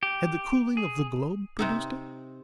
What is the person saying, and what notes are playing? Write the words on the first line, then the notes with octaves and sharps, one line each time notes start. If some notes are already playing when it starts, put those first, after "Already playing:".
Had the cooling of the globe produced it?
G4
G#4
C3 C4 D#4